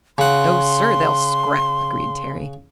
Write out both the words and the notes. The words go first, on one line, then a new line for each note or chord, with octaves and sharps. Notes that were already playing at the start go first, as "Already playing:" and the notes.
"No, sir--they'll scrap," agreed Terry.
C#3 F#5 C6